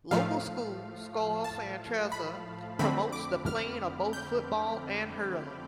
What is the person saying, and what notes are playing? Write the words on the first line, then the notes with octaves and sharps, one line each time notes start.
Local school, Scoil San Treasa, promotes the playing of both football and hurling.
A2 F3 A3 F5
A5
B5
F2 D3 A3 C4 B5
D6
F6
G6